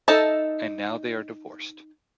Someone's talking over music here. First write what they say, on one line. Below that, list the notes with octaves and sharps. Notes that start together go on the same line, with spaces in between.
And now they are divorced.
D#4 A4 D#5 E5 A5